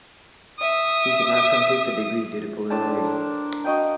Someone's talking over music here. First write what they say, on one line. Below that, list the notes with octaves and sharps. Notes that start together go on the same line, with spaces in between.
He could not complete the degree due to political reasons.
E5 D#6
A2 D4 C5 A5
A#4
F#4 D#5 F5 G5